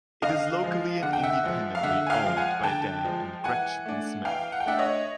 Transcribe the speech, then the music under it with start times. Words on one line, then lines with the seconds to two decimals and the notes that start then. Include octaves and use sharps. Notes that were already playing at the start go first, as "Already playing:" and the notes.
It is locally and independently owned by Dan and Gretchen Smith.
0.22 D3 D#5 F5
0.62 F3 G#3
1.02 D3 F#5
1.13 G5
1.23 E5 F#5
1.43 F3 G#3
1.75 F5
1.83 D3 E5 F#5
2.07 G#5
2.10 F5 G5
2.24 F3 G#3
2.37 F#5 G#5
2.63 D3 G5 A5
3.05 F3 G#3
3.44 E3 F#5 G#5
3.86 A3 D4
4.25 E3 F5 G5
4.52 F#5
4.60 G5
4.65 A3 D4 E5 F#5
4.79 C#5 D#5